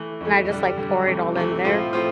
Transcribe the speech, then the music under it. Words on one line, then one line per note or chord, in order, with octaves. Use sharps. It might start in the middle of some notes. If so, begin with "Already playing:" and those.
and I just, like, pour it all in there,
Already playing: E3 A3
F2 E3 A3
G2 D3 G3
G2 D3 G3
C3 E3 A3
C3 E3 A3
A2 F3 C4 F4
A2 F3 C4 F4